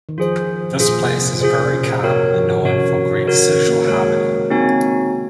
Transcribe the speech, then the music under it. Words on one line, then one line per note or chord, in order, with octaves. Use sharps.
This Place is very calm and known for great social harmony.
D#3
F3 F4 G#4 C5
A#2 F4 G#4 C5
C3
C3
C#3 F4 G#4 C5
C3
A#2
C3 F#4 A#4 C#5
F3
D#3
C#3
C3 F#4 A#4 C#5
C#3 F#4 A#4 C#5
D#3
A#3
G#3 F#4 A#4 C#5
A#3 C4 D#4 F#4 C#5 G#5